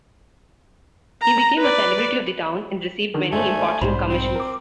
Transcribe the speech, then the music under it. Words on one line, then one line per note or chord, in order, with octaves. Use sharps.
He became a celebrity of the town, and received many important commissions.
A#5
B4 D5
D3 D#3 A#4
G#1 G2 A3 C5 G#5
B1 G#2 G3 C5 B5
C4
A#4 D6